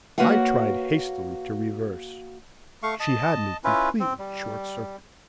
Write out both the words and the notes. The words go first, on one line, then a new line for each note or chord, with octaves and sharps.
I tried hastily to reverse; she had me completely short-circuited.
A#3 F#4 B4 C#5 F5 F#5
A3 F5 C#6
D#5 A5
C#4 E4 F4 B4
C4
G3